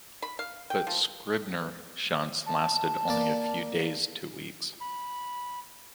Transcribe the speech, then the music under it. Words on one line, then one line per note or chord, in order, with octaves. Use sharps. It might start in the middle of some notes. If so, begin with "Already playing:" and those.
But Scribner shunts lasted only a few days to weeks.
B5
F5
G5
F3
A5
A#3 D5
B5